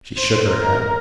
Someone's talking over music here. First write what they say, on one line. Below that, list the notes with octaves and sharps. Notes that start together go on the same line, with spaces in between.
She shook her head.
C5
A#4